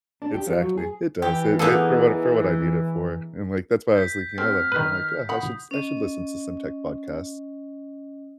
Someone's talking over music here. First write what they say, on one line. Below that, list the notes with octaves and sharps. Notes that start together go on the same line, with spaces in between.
exactly. It does, it it for what for what I need it for, and, like, that's why I was thinking, "Oh, like" I'm like, "Oh, I should I should listen to some tech podcasts."
D4
G4
F3
F#3
G#4
E3 G4
A#3 B3 D#4 G#4 A4
G6 B6
F#3 A3 C4 F6
D#3 B4
F#5 B5 D#6
C#4 D#5